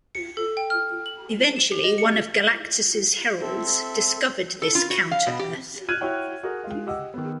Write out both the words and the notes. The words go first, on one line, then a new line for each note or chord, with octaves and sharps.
Eventually, one of Galactus's Heralds discovered this Counter-Earth.
C#7
A4
G5
F6
F#7
E7
G4
D#5
C#7
C4 A4 E5
A4
F4
F#4
F5
B2
G4
F6 F#6 G#6 D#7
E4 F#4 C#5 G5
F#4 G#4 A#4
G#3 F4
G4 D#5 F#5 E6
D#3 B3